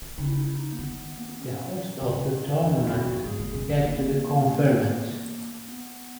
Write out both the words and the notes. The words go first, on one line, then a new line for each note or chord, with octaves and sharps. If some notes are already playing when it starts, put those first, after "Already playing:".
The host of the tournament yet to be confirmed.
C#3 D#4
E4
D#4
E4
D#4
A#3
D#3 B3
A#3
B3
C#4
C#3
F#2 D#4
E2
F#2 E4
E2 F#4
F#2
G#2 G#4
A#2
B2 C#4
E3
E3 A#3
B3